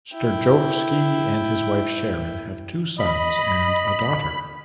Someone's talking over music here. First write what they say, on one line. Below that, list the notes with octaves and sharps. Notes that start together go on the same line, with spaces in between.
Sterjovski and his wife Sharon have two sons and a daughter.
E4 G5
D#5 B5